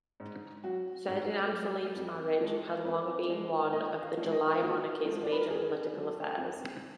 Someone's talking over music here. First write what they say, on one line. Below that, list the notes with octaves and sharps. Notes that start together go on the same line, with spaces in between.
Ferdinand Philippe's marriage had long been one of the July Monarchy's major political affairs.
G#2
F#3 F#4
G#2 F#4
F#3
F2
F3 G#3
A#4
F2 B4
F3 G#3
A#2 D#5
F5
F3 G#3
D#5
A#2 F#4
F3 G#3
D5
B4
A#4
F2 G#4
D3 F#3
F2